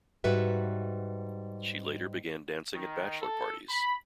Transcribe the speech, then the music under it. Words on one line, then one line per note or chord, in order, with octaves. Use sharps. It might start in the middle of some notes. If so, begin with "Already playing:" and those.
She later began dancing at bachelor parties.
G#2 G3 F#4 B4 E5
D#3
A4
B5